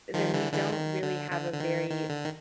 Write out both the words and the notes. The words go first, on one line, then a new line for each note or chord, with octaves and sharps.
then we don't really have a very
D#3 F3
D3 E3
D3 E3
D#3
D3
D3
D3
D#3
D#3
D3
D#3